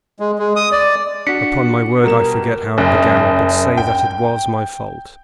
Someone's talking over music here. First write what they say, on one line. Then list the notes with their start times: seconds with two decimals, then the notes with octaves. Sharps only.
Upon my word I forget how it began, but say that it was my fault.
0.20 G#3
0.39 G#3
0.56 D#6
0.72 D5
1.27 D4 F#4 B6 C#7
2.04 B2 G3 A#4 E7
2.78 F#1
3.77 G5